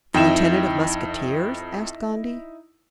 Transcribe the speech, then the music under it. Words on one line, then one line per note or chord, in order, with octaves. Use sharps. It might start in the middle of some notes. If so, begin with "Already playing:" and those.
"The lieutenant of musketeers?" asked Gondy.
F2 D#4 E4 G5 E7